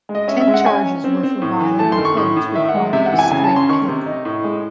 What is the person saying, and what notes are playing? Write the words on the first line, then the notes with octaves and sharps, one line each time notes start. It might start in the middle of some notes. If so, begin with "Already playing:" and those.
Ten charges were for violating codes requiring straight killing.
G#3
D#5
C#4 E5
E5
G#3
F#5
C#4 G#5
C#4
C4
C4
A2
E3
A3 A5
C6
D#3
C#6
A2
A2
D#3 E5
F#5
G#3
C3 E5
F#5
E3
G#5
C#3 G#5
A5
C#4
C6
D#3 C#6
C3
D#4
A2
G#3